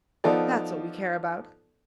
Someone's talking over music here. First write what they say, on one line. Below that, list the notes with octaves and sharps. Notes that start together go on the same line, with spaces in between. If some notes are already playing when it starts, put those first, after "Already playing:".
That's what we care about.
F3 B3 D#4 F4 A4 D5